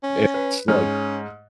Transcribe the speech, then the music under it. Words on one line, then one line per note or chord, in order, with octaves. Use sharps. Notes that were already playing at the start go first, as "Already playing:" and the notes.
It's like,
C#4
B4
G#2 C#4 F6